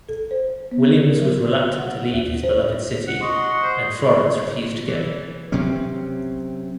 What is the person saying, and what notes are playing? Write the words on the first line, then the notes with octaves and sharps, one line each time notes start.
Williams was reluctant to leave his beloved city, and Florence refused to go.
A4
C5
B3
A#4
F#3
F#5
D#2
C5
F#5
F#4 D#5 C6
C5
E3
C3 F#3 C4 C#4